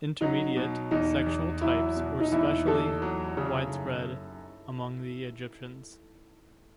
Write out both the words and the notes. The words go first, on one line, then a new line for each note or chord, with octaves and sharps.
Intermediate sexual types were specially widespread among the Egyptians.
F#3 D#4
B2
E2 D#4
E2
F#3 E4
B2
D#4
E2 E4
E2 A4
F#3
C#3
F#2